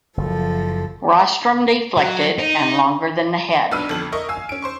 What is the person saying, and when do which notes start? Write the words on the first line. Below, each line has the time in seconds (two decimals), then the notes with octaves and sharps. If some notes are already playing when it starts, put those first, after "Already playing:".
Rostrum deflected and longer than the head.
0.17 F#1 F3 A4
1.97 F#3
2.39 D#4
3.71 B1 D4 B4 E6 F6 D#7
3.89 G1 F2 A4 F#7
4.12 A#4 D#5 E5 C#6
4.29 F5 G#5 E6
4.49 C#4 D7
4.62 C5 C6 C#6